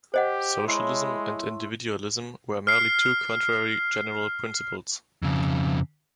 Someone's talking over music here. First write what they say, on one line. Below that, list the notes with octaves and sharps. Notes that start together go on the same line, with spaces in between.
Socialism and individualism are merely two contrary general principles.
G4 C5 D#5 F#5
G#3 E4 A4 C#5 B5 C6 E6
F6 C7
F2 C#3